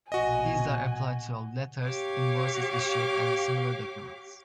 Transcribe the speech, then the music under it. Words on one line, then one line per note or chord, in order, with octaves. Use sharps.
These are applied to all letters, invoices issued, and similar documents.
A#1 B2 F#4 D#5 G#5
G4 C#5 F5 D6